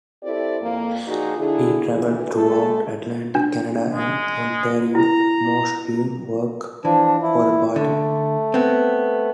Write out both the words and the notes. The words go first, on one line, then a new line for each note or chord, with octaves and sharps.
He travelled throughout Atlantic Canada and Ontario mostly doing work for the party.
C4 E4 G4 A4 C5 D5
F2 A#3
A#2 F3 D#4 F4 F#4 G#4
D3 E4 G#4
D2 E3
G#3 A3 A4
D4
G#3
E4 A#5
E3 F3 D4
E4
D3 A3
B3 C4